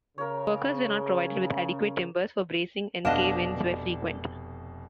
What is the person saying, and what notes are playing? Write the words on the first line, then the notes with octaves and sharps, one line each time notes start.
Workers were not provided with adequate timbers for bracing and cave-ins were frequent.
C#3 A#4 C#5
F1 B2 D4 D#5 F5 F#5 E7